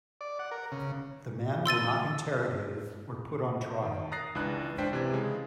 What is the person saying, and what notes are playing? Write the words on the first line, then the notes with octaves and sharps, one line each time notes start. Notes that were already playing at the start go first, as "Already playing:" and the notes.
The men were not interrogated or put on trial.
D5
F#5
A#4
C#3
C6 E6 A6 D#7
D#3
A#5 D#6 F#6 A6 A#6 C7
C#2 E3 D4 B5 F#6
C#2 D4 C5 G5 B6
C3 E3 G#6
C#3 G#3